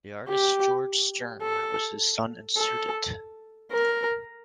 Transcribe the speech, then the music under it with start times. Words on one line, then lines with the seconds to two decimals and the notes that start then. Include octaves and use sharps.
The artist Georg Sturm was his son and student.
0.29 G4
1.43 A4
2.57 A4
3.72 A#4